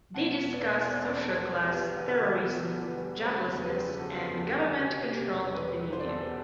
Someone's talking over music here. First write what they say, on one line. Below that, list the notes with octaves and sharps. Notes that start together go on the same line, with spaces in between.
They discuss social class, terrorism, joblessness, and government control of the media.
B2 F#5 A5
E1
B4 D5
B2
D5
E1 A4 C5
E2
A4 C5
E1
E2 G4 B4
D3 B4
F#4 A4
G3
B3 F#4 A4
D3
G4 B4
G3
F#1 A4 C5
E2
G4 B4
F#1
F#3 F#4 A4
E2
G4
D3
C3 F#4
C3
G4
E1
E1 G4 B4
E1
C5
D5
E2 A4 C5